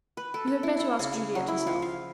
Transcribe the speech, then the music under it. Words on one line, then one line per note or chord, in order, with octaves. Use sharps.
You had better ask Juliet herself.
B4
A4
A4
E4
A4
C#3
G#4
F#3
E4
F3
F5